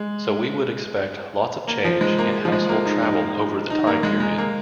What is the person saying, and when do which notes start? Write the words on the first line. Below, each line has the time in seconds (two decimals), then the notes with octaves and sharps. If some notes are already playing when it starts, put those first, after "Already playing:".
So we would expect lots of change in household travel over the time period.
Already playing: G#3
1.68 A#3
1.85 F3
2.01 G#3
2.18 A#3
2.45 F3
2.52 G#3
2.69 A#3
2.85 D#4
3.02 D#4
3.70 D#4
3.87 A#3
4.03 G#3
4.20 G#3
4.38 A#3